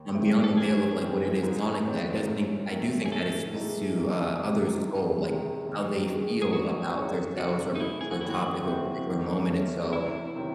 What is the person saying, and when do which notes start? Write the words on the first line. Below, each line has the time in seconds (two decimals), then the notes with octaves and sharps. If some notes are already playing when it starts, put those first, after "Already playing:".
um, beyond the veil of like what it is sonically, I does think I do think that it speaks to, uh, others' soul, like how they feel about their selves, or a particular topic, or a particular moment, and, so,
Already playing: D#2
0.14 D#3 G#3 C4 E4
0.44 A4
0.57 F#2 G#4
0.99 E3 C4
1.43 G#2
1.85 F#3 C4 D#4
2.27 F#2
2.70 D#3 A3
3.06 G#4
3.12 A2 A4
3.55 E3 G#3 D#4
3.97 C2
4.40 C3 D#3
4.82 C2
5.24 C3 D#3 G#3
5.67 D#2
6.10 D#3 G#3
6.42 G#4
6.52 F#3 F#4
6.95 C4 D#4 G#4 C#5
7.37 C3 F#4
7.76 D#4
7.80 E3 A3 E4
8.01 G#4
8.11 F#4
8.21 D#2 E4
8.30 F#4
8.64 C#3 E3 C4 E4
9.07 D#3
9.50 A3 C#4 E4 A4
9.93 C2 E4
10.35 C3 D#3 F#3 C4